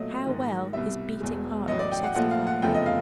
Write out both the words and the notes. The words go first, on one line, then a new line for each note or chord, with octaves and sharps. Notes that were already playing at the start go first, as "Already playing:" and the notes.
How well, his beating heart could testify!
Already playing: B1 A#2 F#3 A3 D#5
A#1 G#2 D#3
C2 B2 G3 E5
E1 E2 B2 G#3
A1 A2 F#3 D#5
D5
G5
F#5
A#1 A#2 F3 A3 F#5
F5
F#5
F1 E2 C#3 F3 A3 G5
D#5
F5